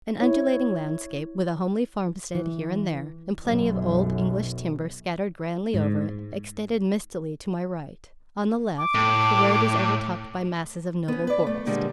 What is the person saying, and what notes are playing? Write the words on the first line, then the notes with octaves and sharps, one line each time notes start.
An undulating landscape, with a homely farmstead here and there, and plenty of old English timber scattered grandly over it, extended mistily to my right; on the left the road is overtopped by masses of noble forest.
E4 C#5
E3
B1 F#2
G#2
D6
A2
B3 C#4
B4 D5
A3
A#2 D3 G3 G#3